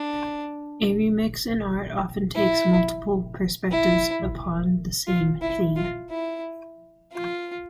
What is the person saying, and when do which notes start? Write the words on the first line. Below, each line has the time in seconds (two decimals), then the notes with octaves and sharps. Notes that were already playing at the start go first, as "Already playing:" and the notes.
A remix in art often takes multiple perspectives upon the same theme.
Already playing: D4
2.35 E4
3.71 E4
5.07 F4
5.42 E4
5.76 F4
6.10 E4
7.13 F4